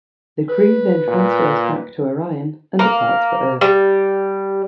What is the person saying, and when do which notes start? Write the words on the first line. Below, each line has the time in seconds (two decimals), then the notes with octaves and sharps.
The crew then transfers back to Orion and departs for Earth.
0.49 B4
1.08 A#2
2.79 A#3
3.61 G3